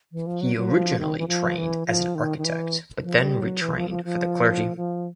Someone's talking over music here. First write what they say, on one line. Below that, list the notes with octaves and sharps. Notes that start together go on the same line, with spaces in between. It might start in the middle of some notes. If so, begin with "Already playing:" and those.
He originally trained as an architect but then retrained for the clergy.
E3
F3
F#3
F#3
F3
D#3
E3
F3
E3
F3
D#3
D#3
E3
F3
G3
F#3
E3
F3
F3
F3
F3